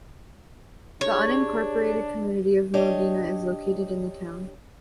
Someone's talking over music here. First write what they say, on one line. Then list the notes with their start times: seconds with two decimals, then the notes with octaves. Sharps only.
The unincorporated community of Modena is located in the town.
1.01 D4 G4 G#4 C#5
2.74 D4 G4 C#5 D#5